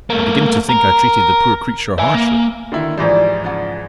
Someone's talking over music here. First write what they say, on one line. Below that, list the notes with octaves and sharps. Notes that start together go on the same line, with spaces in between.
I begin to think I treated the poor creature harshly.
A3 A#3
A#4
E5 G#5
A#3
D3 D#3 E4
G#2 E3 F3 G3
C#3 F4 F#5